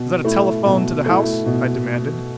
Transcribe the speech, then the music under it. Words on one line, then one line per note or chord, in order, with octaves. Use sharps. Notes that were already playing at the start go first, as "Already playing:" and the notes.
"Is that a telephone to the house?" I demanded.
Already playing: B2
A3 E4
B2
A3 E4
B2